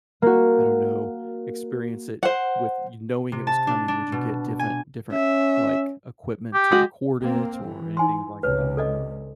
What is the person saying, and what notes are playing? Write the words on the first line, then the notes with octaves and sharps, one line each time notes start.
I don't know, experience it with you knowing it was coming, would you get different different like equipment to record it or anything uh like that?
A#3 F#4
C5 F#5
C3
A5
D4
D4
B2
G#5
C#4 E5
G4
G#3 F#4
A#3 C4
E3
D#4 G#5 C6
C#2 C3 B4 C#5
A4 D5 D#5